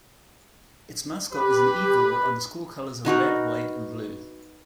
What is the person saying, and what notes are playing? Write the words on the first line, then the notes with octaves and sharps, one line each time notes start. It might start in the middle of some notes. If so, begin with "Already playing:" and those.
Its mascot is an eagle, and the school colors are red, white and blue.
G4 B4
B3 D#4 F#4 A#4